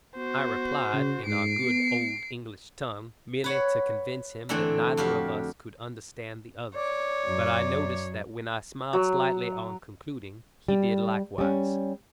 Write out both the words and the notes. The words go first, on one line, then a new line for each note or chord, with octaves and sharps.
I replied in our good old English tongue merely to convince him that neither of us could understand the other; but I noticed that when I smiled slightly on concluding, he did likewise.
B3 F#4 C5
C#3
G#2 C7 D7
B3
B4 C#5 F#5
D3 E3 A3 C4 D4
F2 F#4 G4 F5
C#5 D5 D6
F#2
F#3
G3
G3 C#4